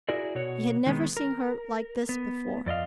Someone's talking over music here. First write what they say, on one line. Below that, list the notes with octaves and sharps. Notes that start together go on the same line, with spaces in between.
He had never seen her like this before.
E4 F#4 G#4 A#4 D5
B2 F#4 C#5
D#3 G#3 B3
A#4
B3
F2 D5 D#5 F5